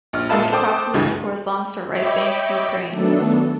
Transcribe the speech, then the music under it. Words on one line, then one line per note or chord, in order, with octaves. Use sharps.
It approximately corresponds to Right-bank Ukraine.
A#1 F6
A#2 G#3 A#3 E5 A5 B5
A4 C5 G5 D6 D#6
C#2 G2 C#3 E3
C#5 D#5 E5 G5 B5 D6
D#3 F#3 A3 B3 D4 A4